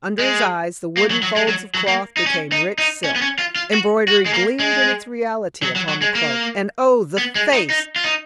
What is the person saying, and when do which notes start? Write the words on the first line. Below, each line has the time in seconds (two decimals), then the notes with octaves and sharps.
Under his eyes the wooden folds of cloth became rich silk, embroidery gleamed in its reality upon the coat, and oh! the face!
0.19 G#3
0.97 A#3
1.10 F#3
1.23 F#3
1.36 G#3
1.48 F#3
1.75 F#3
1.88 A#3
2.17 D#4
2.26 C#4
2.52 D#4
2.78 D#4
3.04 C#4
3.16 B3
3.22 C#4
3.39 F4
3.56 F4
3.73 F#4
4.08 F#4
4.26 G#3
4.33 A#3
4.59 G#3
5.63 F#3
5.76 F#3
5.89 F#3
6.02 G#3
6.15 A#3
7.18 B3
7.35 G#3
7.53 D#4
7.70 D#4
7.96 F4
8.04 D#4